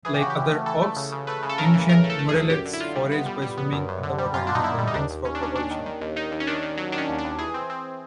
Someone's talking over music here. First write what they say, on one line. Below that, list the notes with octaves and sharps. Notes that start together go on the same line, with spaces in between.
Like other auks, ancient murrelets forage by swimming underwater using their wings for propulsion.
E3 G#4
G4
C#3 F#4
G4
E3
A3
E3 A4
A3
C#3
C#3
A3 B4
C#3
A4
C#3 A#4
E3
C#3 A#4
A3
A4
A3
G#4
D2
F#2 G4
D3
E4
D3 F4
G3
B3
G3
G3
B3
F#2
F#2
D3
G3
F#2 F4
D3 D4
D#4
D3 E4
G3
D#4
D#2 D4
D#2
D#2 C#4
D4
D#2 C#4
D#2 D4
D#3
D#3
D#2
D#3 D#4
D#2
C#4
D#3 D4
D#3
F#3
D#3 D4
C#4
D#2
D4
D#2
E3 G#4
C4
C4